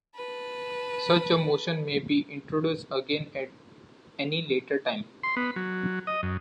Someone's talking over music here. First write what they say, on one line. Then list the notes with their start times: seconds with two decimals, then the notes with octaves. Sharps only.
Such a motion may be introduced again at any later time.
0.15 B4 A5
5.23 C6
5.36 B3
5.56 F#3
6.07 D#5
6.23 F#2